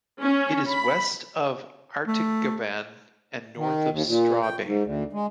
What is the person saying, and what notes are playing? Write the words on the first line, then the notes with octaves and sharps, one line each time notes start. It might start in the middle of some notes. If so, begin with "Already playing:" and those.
It is west of Artigarvan and north of Strabane.
C#4
B5
A3
D#3
D#2
A#2
G5
G#2
D2
G#3